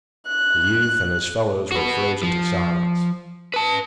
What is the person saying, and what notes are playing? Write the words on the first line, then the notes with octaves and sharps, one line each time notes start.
The youth and his fellows were frozen to silence.
F#6
F#4 B4
F3
B4 A5